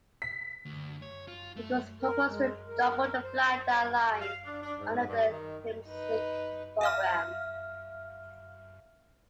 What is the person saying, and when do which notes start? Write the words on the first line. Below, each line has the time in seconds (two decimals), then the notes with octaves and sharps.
It was proposed to double the flydown line under the Thameslink Programme.
0.22 B6
0.65 D2
1.02 C#5
1.28 F4
1.56 A3
2.02 A#4
2.27 G#3
2.67 A#4
3.23 C5
4.22 F5
4.45 D4
4.63 D4
4.80 G#2
5.08 G2
5.31 D#3
5.87 D#4 B4
6.81 E5 F5 F6